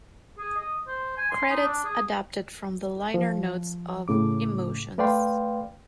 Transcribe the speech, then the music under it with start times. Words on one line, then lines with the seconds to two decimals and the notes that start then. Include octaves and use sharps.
Credits adapted from the liner notes of "Emotions".
0.38 G#4
0.57 D#5
0.88 C5
1.18 G#5
1.31 C6
1.50 D#4
1.64 D4
1.84 G#4
3.14 F3
4.08 A2 C#3 D6
4.98 A3 B4 D5 F5 G5 C6